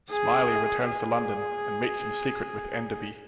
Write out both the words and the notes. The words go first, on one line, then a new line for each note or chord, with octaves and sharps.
Smiley returns to London and meets in secret with Enderby.
G#4
G#4